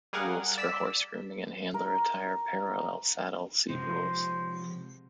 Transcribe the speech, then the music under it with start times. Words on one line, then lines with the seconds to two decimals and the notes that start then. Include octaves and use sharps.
Rules for horse grooming and handler attire parallel saddle seat rules.
0.13 G3 G#4 A#4 F5 F#5
0.58 D5 E6 B6
1.74 A#4
3.69 C3 F3 G#3 C5